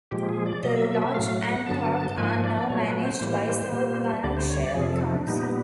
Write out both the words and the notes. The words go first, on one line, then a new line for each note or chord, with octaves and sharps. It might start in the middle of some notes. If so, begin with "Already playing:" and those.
The lodge and park are now managed by South Lanarkshire Council.
A#2 F3 G#3 G4
G#4
D5
B2 F#3 A#3 D#5
E5
E5
E5
A2 F#3 A3 F5
F#5
G2 D3 F#3 B3 A5
A5
G#2 F3 A#3 G#5
D5
A#2 F#3 A3 C#5
B4
C5
A2 E3 G3 A#3
A#2 G3 A#3
D2 D3 G3 D5
C5
C#5
D5
F2 C3 F3 G#4
A4
D#4
D4
A#2 G3 B3 D#4